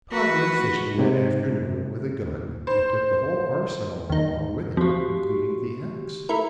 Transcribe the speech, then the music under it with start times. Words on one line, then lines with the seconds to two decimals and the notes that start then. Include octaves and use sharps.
Pod went fishing that afternoon with a gun, and took the whole arsenal along with him, including the axe.
0.12 F#4 B4
0.95 G#2 C3
2.67 C5
4.10 D#2 D#4
4.77 F2 F#4 G4
6.29 A3 E4 A#4